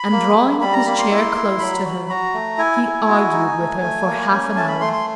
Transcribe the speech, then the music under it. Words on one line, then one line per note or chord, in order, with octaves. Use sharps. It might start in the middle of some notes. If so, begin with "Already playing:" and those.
And, drawing his chair close to her, he argued with her for half an hour.
Already playing: B5
A#3
A#3
G3 B5
A#5
A#3 B5
C6
E4
E4
F#3 B5
F#4
F#4 A#5
A3
E4 G#5
E4
F#4
D#4
A3
A3
A#3
C#4
A3 A5
B5
A3 C6
C6